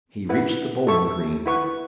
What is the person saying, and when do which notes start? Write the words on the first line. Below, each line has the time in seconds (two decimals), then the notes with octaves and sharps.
He reached the bowling-green.
0.29 E4 B4 F#5
0.87 A4 E5 A5 C#6
1.46 E4 B4 F#5 C#6